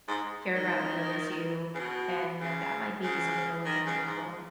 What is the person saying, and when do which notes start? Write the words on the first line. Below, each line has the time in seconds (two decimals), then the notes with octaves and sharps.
care about you, I miss you." And, you know, that might be something to look into as well.
0.08 G#2
0.55 D#3
1.75 C#3
1.79 B2
2.41 C#3
3.03 C#3
3.65 D#3
3.86 C#3
4.07 G#2